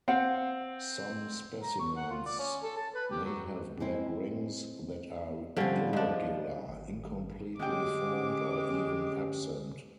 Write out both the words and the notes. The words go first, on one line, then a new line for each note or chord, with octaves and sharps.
Some specimens may have black rings that are irregular, incompletely formed or even absent.
C4 F5 F#5
A#5
C#6
F#5
F4
D5
C#4
A4
A5
B4
G4
F#3
G#3 C4 E4
D3 F3 G3 C4 C#4
G#2 F3 D4
G#1
D2 G#3 C#4 G4 G5 D6